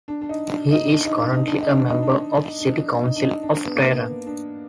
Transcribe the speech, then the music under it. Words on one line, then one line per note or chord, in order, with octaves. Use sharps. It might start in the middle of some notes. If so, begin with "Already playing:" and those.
He is currently a member of City Council of Tehran.
D4
D4
D#4
D4
D#4
D4
D#4
D4
D#4
D4
D#4
D4
D#4
D4
D4
D4
D#4
D4
D#4
D4
D4
B3
A#3
B3
D4